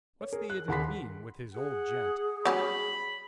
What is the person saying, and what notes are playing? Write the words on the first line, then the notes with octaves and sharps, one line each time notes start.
'What's the idiot mean!--with his old gent!
C#5
G#4 A#4
F#6
D#2 G#4 F#5 B5 C6 B6
G#4 F#5
F#3 G3 C#4 B5